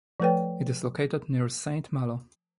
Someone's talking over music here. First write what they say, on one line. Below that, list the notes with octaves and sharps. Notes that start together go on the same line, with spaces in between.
It is located near Saint-Malo.
F3 A3 A4 B4 C#5 G5